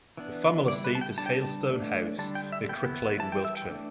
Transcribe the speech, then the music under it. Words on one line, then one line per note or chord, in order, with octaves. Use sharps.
The family seat is Hailstone House, near Cricklade, Wiltshire.
E3 B3 D4
G3 E4 D5
B4
A5
G5
G3 D4 A5
G5
A5
E3 A3 D4
D3 G3 D4 A5
G5
E5
E3 B3 E4 G5
E3 G3 E4 A5
G5
E5
G5
E3 A3 D4